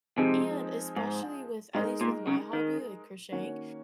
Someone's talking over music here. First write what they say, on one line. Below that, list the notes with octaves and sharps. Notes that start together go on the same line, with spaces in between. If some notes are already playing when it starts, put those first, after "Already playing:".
And especially with, at least with my hobby, like crocheting
C3 F3 G#3 C4 D#4 G#4
G#2
G#2 G#3 D#4 A#4
A#2
C#3
D#3
D#3 A#3 C#4 F#4 C#5